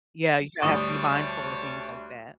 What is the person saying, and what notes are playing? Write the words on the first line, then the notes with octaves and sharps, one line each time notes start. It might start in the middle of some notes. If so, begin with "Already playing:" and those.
yeah, you have to be mindful of things like that.
D2 G3 C#5 D5 A5 C#6 D#6